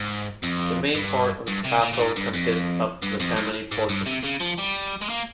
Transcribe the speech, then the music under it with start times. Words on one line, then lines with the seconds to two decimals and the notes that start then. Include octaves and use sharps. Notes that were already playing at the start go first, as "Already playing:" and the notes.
The main part of the castle consists of the family portions.
Already playing: G#2
0.43 F2
0.94 G2
1.47 G2
1.64 C3
1.82 A#2
1.93 A#2
1.99 G#2
2.16 G2
2.34 F2
3.02 G2
3.20 F2
3.36 G#2
3.72 G#2
3.89 G2
4.06 C3
4.23 C#3
4.40 F3
4.58 G3
5.01 G#3
5.09 A#3